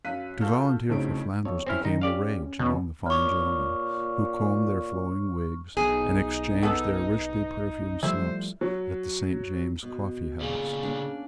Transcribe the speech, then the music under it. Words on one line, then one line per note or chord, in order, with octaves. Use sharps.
To volunteer for Flanders became the rage among the fine gentlemen who combed their flowing wigs and exchanged their richly perfumed snuffs at the Saint James's Coffeehouse.
F#2 F5 F#6 B6 D#7
F4 F#4 A4 F6 G6
B1 A2 C#3 C4 D#4 D7
F2 C#5
F#2 C4 C#4 E4 F6
D#3 D#4
C#4 G4 D5 F5
B1 B2
A#2 C#5 C#6 D6 F6
B1 D#4 G#4
B3 A4
F3 G3 A3 E4 C5
F#3
B2 F#4
A#2 C#3 G#4
A#3 C#4 D4